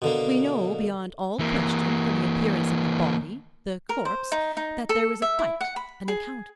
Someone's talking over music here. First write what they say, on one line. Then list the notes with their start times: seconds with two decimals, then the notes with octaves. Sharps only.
We know, beyond all question, from the appearance of the body,--the corpse,--that there was a fight, an encounter.
0.02 B2 D3 A#3
1.39 E3 A#3
3.89 A#4
4.05 C5
4.32 D#4
4.57 D#4
4.89 A4
5.22 E5
5.39 E4
5.61 F#5
5.76 B5
6.08 G#4